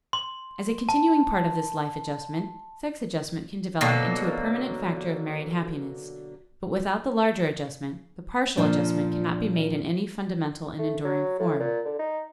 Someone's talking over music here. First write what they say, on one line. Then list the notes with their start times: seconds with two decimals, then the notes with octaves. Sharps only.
As a continuing part of this life adjustment, sex adjustment can develop into a permanent factor of married happiness; but without the larger adjustment, the partial adjustment cannot be made in any fundamental and enduring form.
0.13 C6
0.89 A5
3.81 B2 D3 F#3 A#3
8.57 A#2 F3 D4
10.79 A3
11.05 F#3
11.40 A2
11.60 A#2
11.85 D3
11.99 D#4